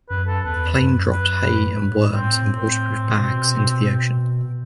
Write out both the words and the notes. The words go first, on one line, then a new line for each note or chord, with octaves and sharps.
The plane dropped Hay and worms in waterproof bags into the ocean.
F#2 B4
A4
E2 B4
F#2
B4
A2
C4
C4
B2